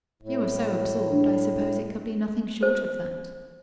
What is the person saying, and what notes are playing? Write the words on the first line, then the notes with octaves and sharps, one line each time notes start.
"You were so absorbed, I supposed it could be nothing short of that."
A2
D4
C5